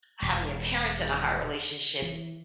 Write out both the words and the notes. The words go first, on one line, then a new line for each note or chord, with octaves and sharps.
having your parents in a hard relationship,
E1
E3